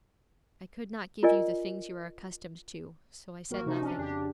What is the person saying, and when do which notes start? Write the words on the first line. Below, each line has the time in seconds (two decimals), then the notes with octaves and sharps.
I could not give you the things you are accustomed to, so I said nothing.
1.23 F4 A#4 D5 D#5 G#5
3.50 A1 A#3 F#4 A#4
3.66 C3 F3 D#4 F#4
3.81 C#4 D4
3.98 F2 C#3 D4 G4